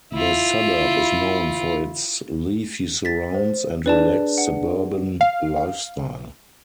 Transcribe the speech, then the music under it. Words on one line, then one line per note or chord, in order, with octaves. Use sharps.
The suburb is known for its leafy surrounds and relaxed suburban lifestyle.
E4 F4
A6 B6
C5
D4 G#4 B4 D5 A5
F#5
F5